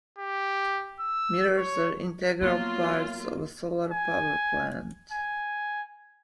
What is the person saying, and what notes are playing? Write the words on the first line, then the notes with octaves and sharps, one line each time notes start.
Mirrors are integral parts of a solar power plant.
G4
E6
C#5
F#3 A#3 B3 F4
G#5
G#5